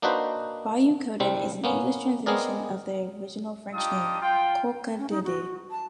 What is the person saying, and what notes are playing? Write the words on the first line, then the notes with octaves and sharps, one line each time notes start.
Bayou Coden is an English translation of the original French name, Coq d' Inde.
A#3 D4 D#4 F#4 B4 C5
C2 G3 C4
A#3 B3 C#4
G#3 B3 C4 G#4 A#4 D5
D4 D#4 F4 G4 D#6
F4 G5
C#4
D#4
F#4
A5